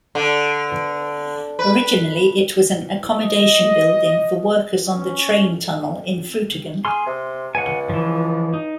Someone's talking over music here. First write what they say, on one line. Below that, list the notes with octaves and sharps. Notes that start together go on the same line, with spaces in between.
Originally it was an accommodation building for workers on the train tunnel in Frutigen.
D3
B4
D#5
C#4
G#4 C6 F6
C3
C#2 F#5 G#5
E3 F3
D#4